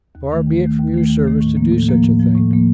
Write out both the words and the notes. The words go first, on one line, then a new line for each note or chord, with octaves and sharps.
Far be it from your servants to do such a thing!
D#2
D#3 A3
D#2
D#3 A3
D#2
D#3 A3
D#2
D#3 A3
A2
F3 A#3
A2
F3 A#3
A2
F3 A#3
A2
F3 A#3